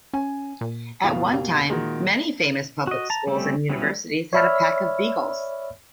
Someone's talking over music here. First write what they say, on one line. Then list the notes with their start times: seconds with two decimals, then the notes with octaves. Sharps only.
At one time, many famous public schools and universities had a pack of beagles.
0.14 C#4 G#5
0.61 A#2
1.04 F#1 B2 E3 F5
1.33 G3
1.70 A#2 D#3 G#3 F#4
2.87 F#4 D#5
3.10 A5 A#5
3.27 G3 A3 C4 C#4
3.70 F#3 G3 B3 C#4 E4
4.33 C#5 D5 E5 B5 E6 F6